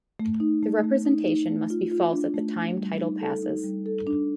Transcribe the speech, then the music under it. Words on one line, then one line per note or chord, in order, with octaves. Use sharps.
The representation must be false at the time title passes.
A3
D#4
A3
A3
D#4
D#4
A3
F4
F4
D4
A3
A3
G3
D#4
A4
D#4
G3
A4
D4